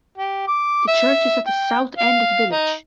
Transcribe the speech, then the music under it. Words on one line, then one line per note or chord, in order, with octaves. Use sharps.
The church is at the south end of the village.
G4
D6
E5
G5
F5
D#4